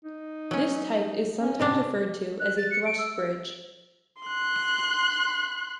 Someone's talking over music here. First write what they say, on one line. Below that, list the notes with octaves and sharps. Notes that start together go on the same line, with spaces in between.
This type is sometimes referred to as a thrust bridge.
D#4
F#3 C#4
C#4
A2 C3 D4
F#6
A6
C#7
D7
E6
C6 F#6